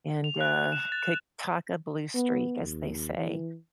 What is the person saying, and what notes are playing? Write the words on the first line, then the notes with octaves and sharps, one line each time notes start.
and, uh, could talk a blue streak, as they say,
F7
F#6
E7
A6
B3
D#2
E3